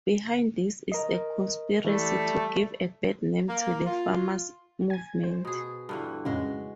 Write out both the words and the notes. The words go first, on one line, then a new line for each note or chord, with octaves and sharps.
Behind this is a conspiracy to give a bad name to the farmers' movement.
A#4 D#5
E3 G3 A3
A#3
F4
G#5 G#6
C5
B2 G#4
G2 D3 E3
F2 A2 C#3 G#3 F#4